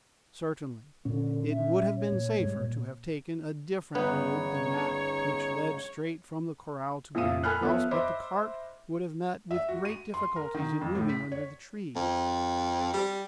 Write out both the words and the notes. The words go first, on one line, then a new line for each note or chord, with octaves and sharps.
Certainly, it would have been safer to have taken a different road than that which led straight from the corral to Granite House, but the cart would have met with great difficulties in moving under the trees.
A#2 D3 C#4
E5
C#5
A#2
G#2 G3
A#2
G1 C#3 B3 D#4 B4 C#5
F2 A#2 E5 F5 D#7
A4 G#5 B5 F6 F#6
F3 B3 A4 C#5 E5
C5 D#5 E5 B5 D6
E5
F#4
D#7
C6
A#4
D#3
F2
A2
B6
C#5
F2
G3